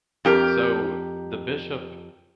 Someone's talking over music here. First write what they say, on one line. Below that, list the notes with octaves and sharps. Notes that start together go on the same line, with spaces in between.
so, the Bishop,
F2 G4 A#4